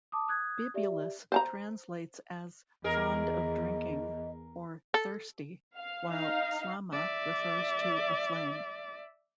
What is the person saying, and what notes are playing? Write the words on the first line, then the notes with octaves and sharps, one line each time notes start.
"Bibulus" translates as "fond of drinking", or "thirsty", while "Flamma" refers to a flame.
A5 D6 D#6
D#6 F#6 G#6
G4 D5 E5
C5 A5 A#5
E2 G#4 A#4 D#5
A4
F5
D#4 F5
D5 E5